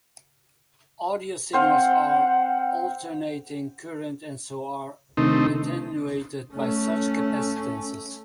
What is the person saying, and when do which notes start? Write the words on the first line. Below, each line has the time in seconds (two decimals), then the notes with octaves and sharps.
Audio signals are alternating current and so are attenuated by such capacitances.
1.53 C4 C5 F5 F#5
5.17 C3 D#3 A3 C4 D4 D#4
6.54 A3 C#4